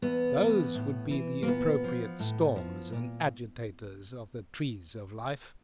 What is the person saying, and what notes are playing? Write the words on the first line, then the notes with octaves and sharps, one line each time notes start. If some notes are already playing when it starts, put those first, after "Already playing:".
Those would be the appropriate storms and agitators of the trees of life!
E2 B3
C#3 E3
A2
E3
A#3
A#2 B3
F3
A2
F3
A#2